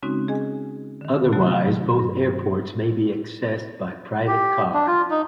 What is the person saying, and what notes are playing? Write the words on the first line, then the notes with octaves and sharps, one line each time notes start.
Otherwise both airports may be accessed by private car.
C#3 G#3 C4 C#4 D#4 F#4
G#4 D#5 G#5
D3 D#3
C3 F#3 A3 B3 F#4
G2
G4
D4
F4
D#4